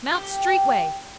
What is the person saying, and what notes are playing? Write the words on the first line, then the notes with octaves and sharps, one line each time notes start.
Mount street way.
G4